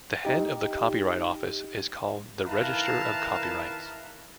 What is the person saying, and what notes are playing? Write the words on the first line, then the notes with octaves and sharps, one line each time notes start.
The head of the Copyright Office is called the Register of Copyrights.
D#4 G4
D#3 E4 B4 F5 A5 A#5